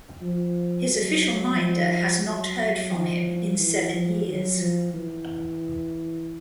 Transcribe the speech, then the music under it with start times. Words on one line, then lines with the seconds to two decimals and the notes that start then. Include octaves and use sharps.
His official minder has not heard from him in seven years.
0.21 F3
0.89 F#3
1.56 F3
2.24 F#3
2.92 F3
3.58 E3
3.92 F3
4.26 F#3
4.60 F3
4.94 E3